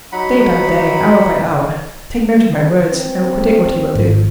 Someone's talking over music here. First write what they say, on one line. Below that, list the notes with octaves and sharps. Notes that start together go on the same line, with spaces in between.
Day by day, hour by hour,--take note of my words,--I will predict what he will do.
F#3 D#4 F#5 B5
C4
G#1